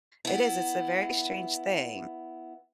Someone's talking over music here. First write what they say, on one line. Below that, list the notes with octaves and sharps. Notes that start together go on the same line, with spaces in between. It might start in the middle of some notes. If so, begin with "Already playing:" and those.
it is, it's a very strange thing.
B3 E4